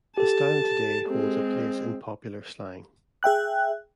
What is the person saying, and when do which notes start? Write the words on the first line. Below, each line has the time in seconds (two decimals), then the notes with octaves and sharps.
The style today holds a place in popular slang.
0.18 G4 A4 A5
1.09 G#3 C4
3.23 G#4 E5 G5 F#6